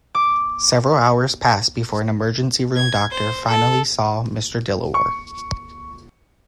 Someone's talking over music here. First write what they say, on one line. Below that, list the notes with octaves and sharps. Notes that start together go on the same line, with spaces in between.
Several hours passed before an emergency room doctor finally saw Mr. Dilawar.
D6
G#6
C5
A4
C#6